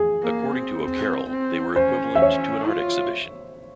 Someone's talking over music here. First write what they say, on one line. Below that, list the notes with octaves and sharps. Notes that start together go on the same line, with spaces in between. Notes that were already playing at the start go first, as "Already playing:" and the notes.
According to O'Carroll, they were equivalent to an art exhibition.
Already playing: G#4
A#3
C4
C4
C4
C#4 C5
E5
C#5
F4